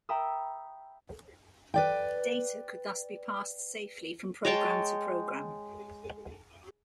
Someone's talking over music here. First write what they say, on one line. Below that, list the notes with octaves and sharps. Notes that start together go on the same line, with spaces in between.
Data could thus be passed safely from program to program.
E5 G5 A#5 B5 D#6 E6
B4 D5 G5
G#3 C#5 G5 A5